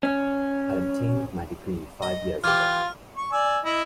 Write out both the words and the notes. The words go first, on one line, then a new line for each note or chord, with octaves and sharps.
I obtained my degree five years ago.
C#4
D#5
E3 F4 G4 F6
C#6
D5 G#5 E6
E4 D#5